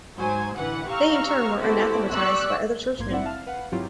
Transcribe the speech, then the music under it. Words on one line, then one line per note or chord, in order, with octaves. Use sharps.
They in turn were anathematized by other churchmen.
G#2 F#3 C5 G#5
A1 D3 E3 B4 F#5
G4 F5 A#5 C#6 E6 F6
B3 C4 E4 F#4 G4 A4
G4 D5 C#6 E6 F#6
A#1 G#2 A#3 C6 G#6
C4 E4 D5 E5 F#5
F5 A5 F6
B4 F5 F#5
G#2 F#3 C4 E4 F4 G4